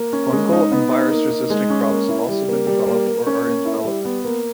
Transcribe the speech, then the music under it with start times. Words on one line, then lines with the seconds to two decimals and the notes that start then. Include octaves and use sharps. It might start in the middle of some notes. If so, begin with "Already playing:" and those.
Fungal and virus resistant crops have also being developed or are in development.
Already playing: A#3
0.13 C#4
0.33 G#3
0.52 D#4
0.72 B3
0.91 D#4
1.11 A#3
1.31 D#4
1.50 G#3
1.70 C#4
1.89 A#3
2.09 E4
2.28 G3
2.48 A#3
2.67 G3
2.86 A#3
3.07 A#3
3.26 C#4
3.46 A#3
3.65 E4
3.85 G3
4.05 B3
4.24 A#3